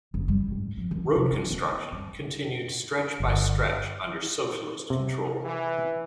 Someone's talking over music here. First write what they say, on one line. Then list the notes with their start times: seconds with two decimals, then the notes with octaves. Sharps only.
Road construction continued stretch by stretch under socialist control.
0.14 F#1
0.28 G3
0.52 G#2
0.77 F3
0.91 D#3
1.16 C3
1.32 D4
1.51 B3
1.92 G2
3.20 G1
4.90 C3
5.44 E3